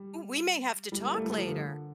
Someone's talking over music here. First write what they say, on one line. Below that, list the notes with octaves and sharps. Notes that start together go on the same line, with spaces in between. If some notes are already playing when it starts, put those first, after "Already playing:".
Ooh, we may have to talk later.
Already playing: G3
G3
A#3
A3
G3
F3
D3